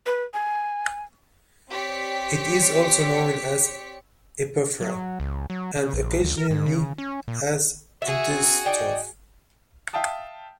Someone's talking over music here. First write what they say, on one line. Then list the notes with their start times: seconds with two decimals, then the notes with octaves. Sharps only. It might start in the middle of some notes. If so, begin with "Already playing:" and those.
It is also known as epiphora and occasionally as antistrophe.
0.06 B4
0.33 G#5
1.70 C4 G4 C#5 D5 B6 C#7
4.81 F#3
5.20 C#2
5.50 F#3
5.76 C#3
5.93 A#1
6.24 D2
6.37 A#4
6.50 G#2
6.66 C#3
6.98 C#4
7.28 A#2
8.02 F#4 G#4 E5
8.31 C4
8.66 D#4 D5 G5
9.93 E5 F5 G5 A5 D#6